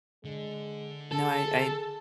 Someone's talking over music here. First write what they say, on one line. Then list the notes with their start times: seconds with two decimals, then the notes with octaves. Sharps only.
No, I I
0.25 D3 G#3
1.12 G#4 A4 A5